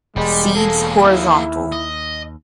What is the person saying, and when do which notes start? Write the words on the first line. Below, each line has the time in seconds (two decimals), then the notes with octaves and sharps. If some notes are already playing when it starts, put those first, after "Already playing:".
Seeds horizontal.
0.16 E1 G3 G#3
0.55 A#3 G#4 A4
1.04 D#2 E4
1.72 D#5